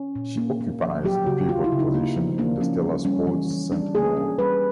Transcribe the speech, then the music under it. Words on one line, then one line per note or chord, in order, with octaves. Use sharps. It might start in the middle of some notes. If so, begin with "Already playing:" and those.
She occupies the pivot position in the Stella Sports Saint-Maur.
Already playing: C#4
A#2
A#3
A#3
F3
F#3 G4
C#3 F#4
C#3 F4
E4
C#3
D#4
A#3
F3
A#3 D4
F3 C#4
G3
G3 C#4
E3
E3
G3 D4
A#3 G#4
C#4
G3 B4